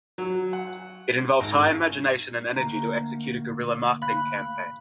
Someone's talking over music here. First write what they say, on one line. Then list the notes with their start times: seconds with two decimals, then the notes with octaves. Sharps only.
It involves high imagination and energy to execute a guerrilla marketing campaign.
0.18 F#3
0.53 F#5
1.40 G#1
2.56 D2 A#3 A#5
4.02 F5 B5 F#6